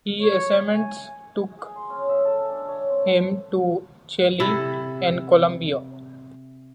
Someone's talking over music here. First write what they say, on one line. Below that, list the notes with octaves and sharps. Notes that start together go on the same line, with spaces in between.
He assignments took him to Chile and Colombia.
C#5
G#5
G#4
C6
C#4
E5
A4
D4
C#5
C4
C3 E4 A4